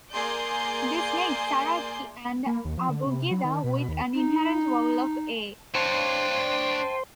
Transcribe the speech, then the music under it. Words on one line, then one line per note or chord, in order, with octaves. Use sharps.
This makes Sarati an abugida with an inherent vowel of "a".
A#3 G#4 D5 C6 G6
A#3
D#2
F3
D3
C3
F#3
D#3
B2
D#2
D#4
D4 C5 C#5 G5 A5